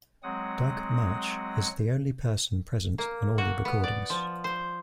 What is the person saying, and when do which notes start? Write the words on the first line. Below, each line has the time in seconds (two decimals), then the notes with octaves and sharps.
Doug Martsch is the only person present on all the recordings.
0.23 F#3 G#3 C4 F#5 D#6
2.98 A#3
3.38 F#4
3.65 B3
3.84 D5
4.10 F3
4.44 C5